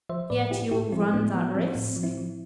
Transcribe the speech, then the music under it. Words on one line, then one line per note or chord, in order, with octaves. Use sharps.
"Yet you will run that risk?"
F3 C5 E5
A2 B4 D5
A2 E4 G4
A2 E4 G4
F3 C4 E4
A2 B3 D4
F3 B3
F3 C4
A2 C4
F3
C4 E4
F3